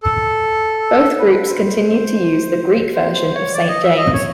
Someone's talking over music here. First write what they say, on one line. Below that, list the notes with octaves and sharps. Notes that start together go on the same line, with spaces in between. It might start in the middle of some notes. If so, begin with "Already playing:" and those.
Both groups continued to use the Greek version of Saint James.
A4
B4
C5
C5
C5
C#5
D5
D#5
E5
D#5
C#5